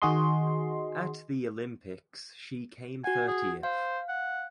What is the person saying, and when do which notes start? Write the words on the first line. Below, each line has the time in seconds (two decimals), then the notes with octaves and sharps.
At the Olympics she came thirtieth.
0.02 D#3 F#4 G#4 D#5 C6
3.04 F#4 F#5 G#5
3.28 G#4
3.63 C5 F5
4.09 F#5